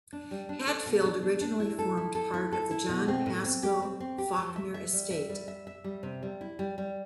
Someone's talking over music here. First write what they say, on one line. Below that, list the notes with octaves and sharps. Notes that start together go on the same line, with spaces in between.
Hadfield originally formed part of the John Pascoe Fawkner estate.
D4
G3
D4
A4
B2
D4
D4
D4
E4
A4
E4
A4
E4
A4
E4
B2
C4
A2
C4
G4
C4
C4
G4
F3
E5
E5
G3
E5
G3
E5
E5
G3
C3
G3
E4
G3
G3